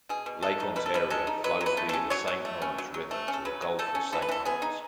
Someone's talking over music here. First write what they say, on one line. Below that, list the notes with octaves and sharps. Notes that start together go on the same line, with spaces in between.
Lake Ontario flows via the Saint Lawrence River to the Gulf of Saint Lawrence.
B2 G#4
B2
G#3 A4
D#4
B2 B4
A4
B2 B4
G#3 A4
D#4
F#3 B4
F#3
B4
A3
C#4 A4
F#3 C#5
F#3
A3
C#4
F#3
F#3
A3
C#4
A4
F#3 B4
F#3
A3 A4
C#4
E3 A4
B4
E3 A4
B3 G#4
D#4